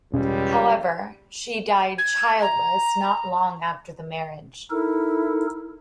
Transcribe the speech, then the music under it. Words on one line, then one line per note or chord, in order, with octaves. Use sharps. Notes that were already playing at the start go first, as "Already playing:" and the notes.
However, she died childless not long after the marriage.
E1 C#2 B2 G3 C#4
G#6
A#5
D#4 E4 A4 A#4